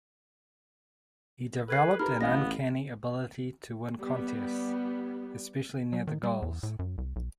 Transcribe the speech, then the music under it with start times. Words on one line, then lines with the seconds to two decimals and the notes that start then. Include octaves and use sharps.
He developed an uncanny ability to win contests, especially near the goals.
1.68 A4 B4 G#6 C7
1.99 D#4 G4 A#4 B4 B5 F6
2.21 A1 B3 D#5 F5 A#6
4.00 G3 B3
5.93 F#3
6.07 D#3
6.23 G3
6.42 E2
6.63 A2
6.79 F#2
6.98 C2
7.16 B1